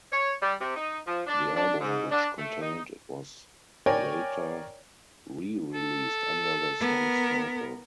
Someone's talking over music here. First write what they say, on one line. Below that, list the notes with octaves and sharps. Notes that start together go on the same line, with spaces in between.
The album which contained it was later re-released under the song's title.
C#5
G3
C3
D#4
F3
D4
D4
G#2
D4
A3
D#4
A#4 C#5 D5 G5 G#5 A#5
A4
B3 A#4